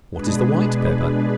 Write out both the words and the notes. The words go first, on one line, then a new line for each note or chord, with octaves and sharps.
What is the White Pepper?
B2 G#3 D4 G#4 B4